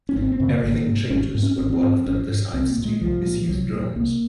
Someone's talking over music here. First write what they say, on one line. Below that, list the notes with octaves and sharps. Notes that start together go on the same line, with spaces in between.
Everything changes when one of them decides to misuse drones.
C#4
G#1 C4
C4
F#2 C#3
A#3
G#1 A#3
G#2
G#1 C#4
G#2 C4
C#4
G#1 C4
C#4
C4
G#2
G#1 C#4
G#2
C2 C4
A#3
A#2
G#3
C2 F3
A#2
F3
C2 F#3
A#2
C2 A#3